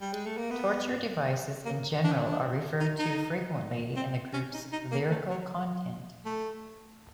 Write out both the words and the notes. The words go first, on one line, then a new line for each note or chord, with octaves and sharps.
Torture devices in general are referred to frequently in the group's lyrical content.
G3
G#3
A3
A#3
B3
A#3
D4
C#4
D4
D#4
D#4
C4
C#4
D#4
D#4
A#3
A3
F#3
A3